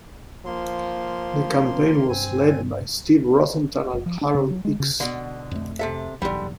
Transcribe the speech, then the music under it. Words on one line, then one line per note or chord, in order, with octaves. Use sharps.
The campaign was led by Steve Rosenthal and Harold Ickes.
F3 A#3 C6
G2 C4 G#5
F#1
F3
D4
C#3
F#3
G#3
C#3
B2 D3
F2 A3
C3 A4 E5
F#1 B1 E2 D3 G3